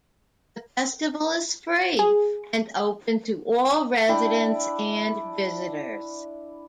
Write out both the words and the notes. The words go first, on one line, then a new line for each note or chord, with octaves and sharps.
The festival is free and open to all residents and visitors.
G#4
D4 E4 G5 B5